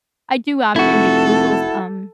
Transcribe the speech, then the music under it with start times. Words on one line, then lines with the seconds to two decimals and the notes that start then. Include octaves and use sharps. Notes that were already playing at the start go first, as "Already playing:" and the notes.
I do opt into Google's, um,
0.76 F1 E4 F#4 A4